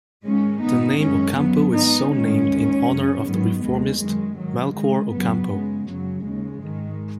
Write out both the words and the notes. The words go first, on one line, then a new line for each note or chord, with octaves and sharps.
The name "Ocampo" is so named in honor of the reformist Melchor Ocampo.
G#2 D#3 G#3 C#4
G#2 D#3 B3 D#4
F#2 D#3 G#3 C#4
F#2 C#3 F#3 B3
G#2 D#3 B3 D#4
G#2 D#3 G#3 C#4
D#2 D#3
F#2 C#3
G#2 D#3 F#3 B3
D#2 D#3 G#3
F#2 D#3 G#3
G#2 D#3 F#3
F#2 D#3 G#3
F#2 C#3 F#3 B3
F#2 C#3 G#3
F#2 C#3 F#3
D#2 C#3 G#3
G#2 D#3